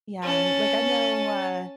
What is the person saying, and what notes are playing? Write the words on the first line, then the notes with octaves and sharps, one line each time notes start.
Yeah, like, I know, uh
C#4 A5